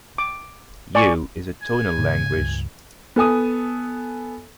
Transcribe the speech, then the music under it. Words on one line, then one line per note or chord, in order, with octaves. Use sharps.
Ewe is a tonal language.
D6
D5 G#5 C#6
G#5
G#2 C#3
C#2 G2
B3 A4 G#5 D#6